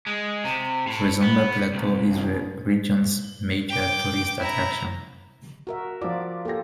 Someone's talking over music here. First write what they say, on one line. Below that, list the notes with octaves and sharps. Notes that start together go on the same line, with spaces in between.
The Zomba Plateau is the region's major tourist attraction.
G#3
C3
A2
B3
C2
G5 D6
E4 A#5
F#4 A#4 E5
F3 F4 D5 D6
A#3 F4 G4 A4 A#6